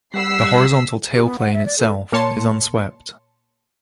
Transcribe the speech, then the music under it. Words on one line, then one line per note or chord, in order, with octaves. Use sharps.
The horizontal tailplane itself is unswept.
G3 F#5 E6 B6 C7
G4
B3
F#5
E5
D5
A4
A#2 A#3 C#5 A5 C6 C#7